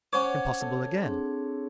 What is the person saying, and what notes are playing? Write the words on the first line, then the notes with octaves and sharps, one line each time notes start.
Impossible again!
C#4 C5 C#5 F#5 D6
A4
C4 D4 G#4